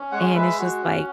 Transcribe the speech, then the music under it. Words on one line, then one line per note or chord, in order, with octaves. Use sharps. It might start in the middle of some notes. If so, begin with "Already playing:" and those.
and it's just like,
Already playing: C#4
G#3 C#5 F#5
G#3 B4 E5
F#4
C#4